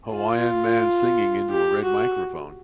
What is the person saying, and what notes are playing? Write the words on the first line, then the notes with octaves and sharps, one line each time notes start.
Hawaiian man singing into a red microphone.
F4
G4
F#4